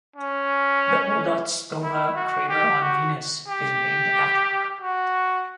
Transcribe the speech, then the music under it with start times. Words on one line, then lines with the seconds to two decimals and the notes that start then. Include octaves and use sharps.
The Udaltsova crater on Venus is named after her.
0.17 C#4
1.83 E4
2.15 F#4
2.49 G4
2.82 F#4
3.48 G4
4.81 F#4